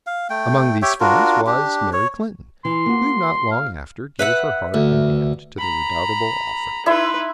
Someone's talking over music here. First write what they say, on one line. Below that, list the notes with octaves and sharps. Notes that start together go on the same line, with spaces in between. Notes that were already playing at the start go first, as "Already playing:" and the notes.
Among these friends was Mary Clinton, who not long after gave her heart and hand to the redoubtable author.
F5
A3 G5
G4 C#5 E5 G5
D4 F4 F#4 A#4
D4 G4
C#5
E3 C6
A#3 F#4
F5
B4 E5 F#5
D2
A#5 B5
D#4 E4 B4 E5 C6